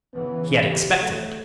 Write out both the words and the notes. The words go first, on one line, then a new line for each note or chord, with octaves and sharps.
He had expected it.
C#3 E3 B3
G4
A3